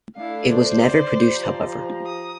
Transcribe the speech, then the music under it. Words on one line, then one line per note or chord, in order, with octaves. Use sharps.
It was never produced however.
A3 D4 E4 F5
C5 D5
F3 G4 A#5
D#6